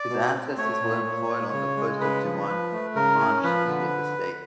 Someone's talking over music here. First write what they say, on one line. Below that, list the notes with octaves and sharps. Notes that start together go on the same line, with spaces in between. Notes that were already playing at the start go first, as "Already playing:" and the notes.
His ancestors were employed on the post of Diwan in Manjhi estate.
Already playing: D5
B2
C4
A3 C#5
A#2
A#2
A#2
C#3
G#3
C#3 B4
F3
F3
A3
C#3 A#4
C#4
F3 B4
D3